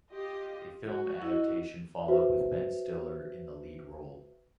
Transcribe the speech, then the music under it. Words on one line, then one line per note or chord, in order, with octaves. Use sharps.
A film adaptation followed with Ben Stiller in the lead role.
F4 G4 D#5
F#4
E4 D#5
F#4 B4 C5 E5